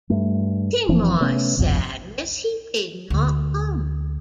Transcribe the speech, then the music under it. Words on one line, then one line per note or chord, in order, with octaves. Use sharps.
To my sadness he did not come.
G2 A3
F1 E3 F3 C4
C3 A3 B3 C#4
G1 C2 F2 B2
D2